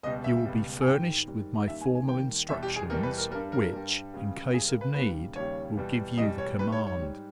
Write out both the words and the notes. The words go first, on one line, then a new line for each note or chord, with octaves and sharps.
You will be furnished with my formal instructions, which, in case of need, will give you the command.
C#2 B2 G3 D#5
E5
C#2 B2 G3
G#5
G#2 D#3 G3 G5
G#2 D#3 G3
D#2 D#3 G3 E5
G#5
G#5
D#2 D#3 G3 G5
E2 B2 G3 E5
G4
G#4
E2 B2 G3 A#4
B4
A#4
G2 G3 A#4
A#4
G2 G3
C#2 C#3 G3
C#2 C#3 G3 G#4
A#4
B4
D#2 C#3 G3 B4
D#2 C#3 G3 C#5
E2 B2 G3
E2 B2 G3 D#5
C#5
G#2 G3 B4
C#5
C#5
G#2 G3